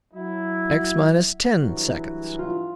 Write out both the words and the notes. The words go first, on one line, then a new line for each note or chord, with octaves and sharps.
X minus ten seconds.
F#3 E4
G2 E3 F#3
F4